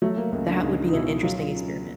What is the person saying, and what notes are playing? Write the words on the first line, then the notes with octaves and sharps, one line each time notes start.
That would be an interesting experiment.
F#3 A3
A#3
C#2 A#3
D4
C#2 D#4
D#4
B2 E4
F#3 F4
C#3